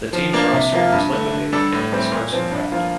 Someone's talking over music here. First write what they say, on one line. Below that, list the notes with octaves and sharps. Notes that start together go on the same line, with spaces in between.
The team's roster was liquidated in a dispersal draft.
F3
A#3 D4
C3
F3 A#3 F4
G2
D3 A3
D3
G3 D4 A4
A2
E3 G3 C4
A#2
F3 C4
G2
F3 A#3 F4